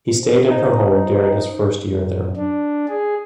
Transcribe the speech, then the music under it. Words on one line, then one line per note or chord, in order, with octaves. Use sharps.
He stayed in her home during his first year there.
C5
D#4
F#2
D4
G#4